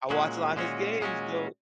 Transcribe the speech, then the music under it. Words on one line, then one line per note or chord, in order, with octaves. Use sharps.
I watched a lot of his games though.
A#2 G#3 C#4 F#4
A#2 G#3 C#4 F#4
A#2 G#3 C#4 F#4